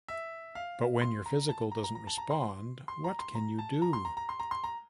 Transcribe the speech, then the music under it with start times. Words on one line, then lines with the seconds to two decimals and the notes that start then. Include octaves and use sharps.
But when your physical doesn't respond, what can you do?
0.08 E5
0.55 F5
1.01 C6
1.26 A#5
1.49 A5
1.72 A#5
1.84 A#5
1.95 A#5
2.07 A5
2.18 A#5
2.30 C6
2.88 C6
3.04 A#5
3.19 C6
3.35 A#5
3.59 A5
3.82 A#5
3.93 C6
4.05 A#5
4.17 A#5
4.29 C6
4.40 A#5
4.51 C6
4.64 A#5